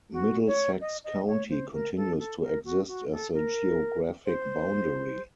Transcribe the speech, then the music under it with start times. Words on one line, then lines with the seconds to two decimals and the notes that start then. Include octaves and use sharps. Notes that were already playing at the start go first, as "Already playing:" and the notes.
Middlesex County continues to exist as a geographic boundary.
0.12 F#4
0.47 C#5
0.81 D#5
1.04 D#5
1.27 C#5
1.50 C5
1.73 A#4
1.96 A4
2.19 A4
2.42 A#4
2.65 F#4
2.88 F#4
3.11 A4
3.33 A#4
4.25 C5